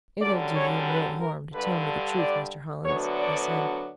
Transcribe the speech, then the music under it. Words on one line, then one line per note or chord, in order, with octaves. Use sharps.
"It'll do you no harm to tell me the truth, Mr. Hollins," I said.
F#2 D3 G3 C#4 D5
C#5
B4
A#4
G2 D3 G3 B4
D5
D2 D3 F#3 B3 D4 C#5
D5